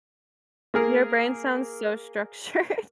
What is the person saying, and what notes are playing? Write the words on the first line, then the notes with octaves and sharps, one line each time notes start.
Your brain sounds so structured. I
A#3 G#4 A#4